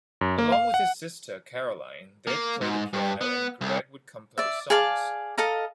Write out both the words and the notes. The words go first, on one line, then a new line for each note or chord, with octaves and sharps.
Along with his sister, Caroline, they'd play the piano and Gregg would compose songs.
F#2
A#3
F5
F#5
A#3
G#2
G2
B3
C2
D5 E5
G#4 D5 F5 A5
A4 D#5 F5 A#5